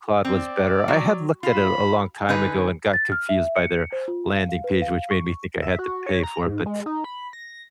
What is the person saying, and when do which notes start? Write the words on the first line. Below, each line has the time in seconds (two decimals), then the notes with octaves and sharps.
Claude was better, I had looked at it a long time ago and got confused by their landing page, which made me think I had to pay for it, but
0.25 C4 D5
0.88 F#3
1.43 F4 B5
2.29 D3 D#4 B4 G#5
2.93 A6
3.12 F6
3.29 E5
3.56 C#7
3.92 C5
4.08 F4
4.30 F5
4.49 F5
4.64 B4
4.82 F5
5.11 C#6
5.62 E5
5.79 F#4
6.06 C#5
6.23 A#5
6.46 G#2
6.66 G#3
6.86 D#4
7.04 B5
7.33 A#6